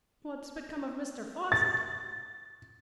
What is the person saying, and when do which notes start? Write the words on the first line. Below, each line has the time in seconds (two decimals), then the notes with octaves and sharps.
"What's become of Mr Fosset?"
1.52 A6